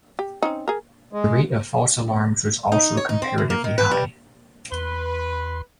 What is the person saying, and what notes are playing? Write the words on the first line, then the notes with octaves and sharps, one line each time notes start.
The rate of false alarms was also comparatively high.
G4
C4 C#4 D#4
G#4 A#4
G#3
D#4
C#5
D#4
C4
F#2
A#3
D#3
B4
G3
E2 B4 C6